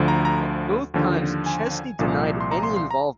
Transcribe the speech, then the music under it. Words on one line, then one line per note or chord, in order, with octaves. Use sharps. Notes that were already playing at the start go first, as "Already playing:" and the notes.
At both times, Chesney denied any involvement.
Already playing: D2 D3 F3
A#5
A#5
D#2 D3 F3
G#5
C2 A#2 F3
C6
A#5
C6
C6
A#5